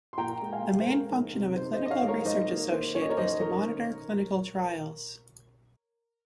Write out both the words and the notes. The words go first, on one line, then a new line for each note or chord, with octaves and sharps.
The main function of a clinical research associate is to monitor clinical trials.
C6
A#2 G5 A#5
G#3
F5 G#5
G#3
C5
C#4 A#4
D#3
C3
D#3 C5
C5 D#5
D#3
D#5
C#5 F5
G#3
A#4 C#5
D#3 C5 D#5
A#3
A#3 C5
C#4 C#5
D#5
A#4 C#5
D#3 C5 D#5
A#4 C#5